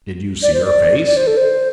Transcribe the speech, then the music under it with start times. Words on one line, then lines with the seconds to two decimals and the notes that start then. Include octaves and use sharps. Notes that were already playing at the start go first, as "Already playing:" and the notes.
"Did you see her face?"
0.42 D5
0.53 C5
0.65 D5
1.06 D5
1.17 C5
1.27 A4
1.37 C5